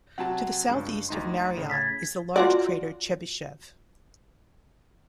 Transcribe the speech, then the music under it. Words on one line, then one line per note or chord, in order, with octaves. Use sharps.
To the southeast of Mariotte is the large crater Chebyshev.
C3 F#3 F#5 A5
C#2 G2 G#3 D4
D2 D#4 C6
A2 C#3
G#6 A6 B6
F4 F#4 D5